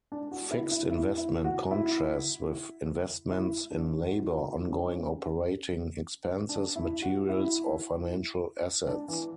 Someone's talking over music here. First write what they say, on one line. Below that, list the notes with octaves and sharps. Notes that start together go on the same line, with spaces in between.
Fixed investment contrasts with investments in labour, ongoing operating expenses, materials or financial assets.
D4
F#4
E4
E4
E4
E4
F#4
E4
E4
D4
F#4
E4
F#4
E4
C#4
D4
E4
F#4
E4
D4
E3